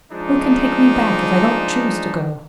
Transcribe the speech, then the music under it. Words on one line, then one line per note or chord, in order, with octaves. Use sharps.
Who can take me back, if I don't choose to go?
F3 G#3 D4 D#4